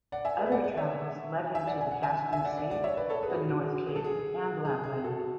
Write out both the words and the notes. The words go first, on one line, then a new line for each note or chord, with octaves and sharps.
Other travels led him to the Caspian Sea, the North Cape, and Lapland.
D5 F#5
E5 G#5
G#4 B4
E5
D5 F#5
D5 F#5
C#5 E5
E5 G#5
D5 F#5
G#5
F#5
E5 G#5
E5 G#5
D5 F#5
D5 F#5
D5 F#5
C#5 E5
B4 D5
A4 C#5
G#4 B4
F#4
G#4
F#4
G#4
F#4
G#4
A4
G#4
G#4
G#4
F#4 A4